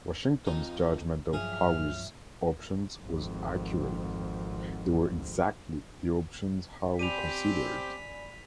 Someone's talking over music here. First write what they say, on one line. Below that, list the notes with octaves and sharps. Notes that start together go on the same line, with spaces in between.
Washington's judgment of Howe's options was accurate; they were exactly the options Howe considered.
F2 D#4 F4
G2 F3 F#3 G#4 E5 F6
G#1 F2
C4 G4 D5 G#5 B5 B6 D#7 F7